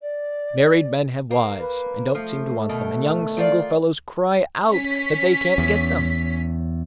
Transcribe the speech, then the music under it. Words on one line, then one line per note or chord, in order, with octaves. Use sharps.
Married men have wives, and don't seem to want them; and young single fellows cry out that they can't get them.
D5
A#3
B4
F3 A3
B2 D#3
D#3 F4 D5
C#4 B6
E2